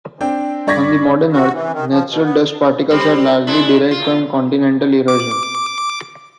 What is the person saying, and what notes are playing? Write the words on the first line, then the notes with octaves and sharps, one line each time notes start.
On the modern Earth, natural dust particles are largely derived from continental erosion.
C4 D4 G5
G2 D5 C#6 G#6 A#6 B6
F#4
E3
D#3
F3
B2
B3
G3 C4
G#3 D4 E4
F4
D6